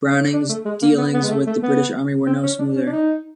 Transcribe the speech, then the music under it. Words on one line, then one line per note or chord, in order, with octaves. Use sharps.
Browning's dealings with the British Army were no smoother.
C#4
D4
A3
G#3
A#3
B3
B3
G#3
A3
A3
B3
C4
C#4
D4
C#4
D4
D#4